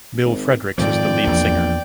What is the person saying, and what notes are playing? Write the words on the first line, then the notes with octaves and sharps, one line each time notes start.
Bill Fredericks is the lead singer.
G#1
F2 G#2 D#3 F3 D5 G5
A#1 E2 F3